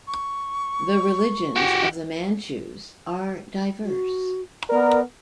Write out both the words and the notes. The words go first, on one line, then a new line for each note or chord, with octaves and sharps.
The religions of the Manchus are diverse.
C#6
F#4 G4
F#4
B3 A#4 D5